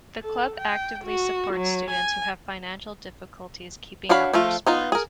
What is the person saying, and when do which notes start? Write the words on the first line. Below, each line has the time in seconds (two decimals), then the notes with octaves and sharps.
The Club actively supports students who have financial difficulties keeping up their sport.
0.22 A4
0.58 G5
1.04 F#4
1.53 F#3
1.91 G#5
4.09 D4 F#4 C#5 F5 B5
4.33 F3 A3 F4
4.66 B3 D#4 F4
4.92 G#4 A#4